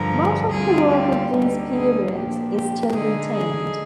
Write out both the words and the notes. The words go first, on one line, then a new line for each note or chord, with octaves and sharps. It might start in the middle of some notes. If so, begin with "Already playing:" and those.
Much of the work of these periods is still retained.
Already playing: G2 D3 F3 A#4
D2 D3 G3 C4 F4 G#4
G4
D2 D3 G3 A#3 D#4
G#4
A#2 F3 A#3 D4 G4
G4
D3 G#3 D#4 G#4
G#4